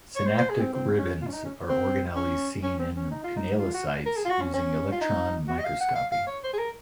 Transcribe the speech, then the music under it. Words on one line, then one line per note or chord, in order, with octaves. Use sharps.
Synaptic ribbons are organelles seen in pinealocytes using electron microscopy.
C#5
C5
C5
G#4
C4
C4
C#4
F4
C#4
D#4
C#4
C4
C#4
C#4
C4
C#4
D#4
F4
D#4
F4
F#4
A#4
G#4
F4
F#4
C#4
C#4
F4
D#4
F#4
D#5
F5
F#5
F5
F5
C#5
C5
G#4
A#4